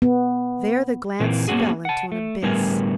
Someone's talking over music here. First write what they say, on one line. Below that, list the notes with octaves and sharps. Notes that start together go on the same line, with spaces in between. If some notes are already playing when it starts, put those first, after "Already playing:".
There the glance fell into an abyss.
B3
A#2 E3 A#3 C4
A#3 B3 C#4 F#4 G#4
F#5 A5
A3
A2 D3 G3 B3 A#4 G#5